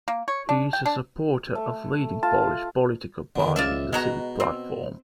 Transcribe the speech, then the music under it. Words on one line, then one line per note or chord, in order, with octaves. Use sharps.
He is a supporter of leading Polish political party, the Civic Platform.
A#3
C#5
D4
G5
D4
A3
F4 A5
D3 D#3
C#2 F4 D5 E5
B2 G#3 F#4 A#5
C4